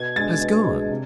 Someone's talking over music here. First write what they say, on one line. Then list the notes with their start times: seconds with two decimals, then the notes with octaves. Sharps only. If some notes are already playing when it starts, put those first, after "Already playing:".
"Has gone."
Already playing: B2 G#6
0.16 G#3 D4 G#4 A6
0.41 B2
0.65 G#3 D4 G#4
0.90 C3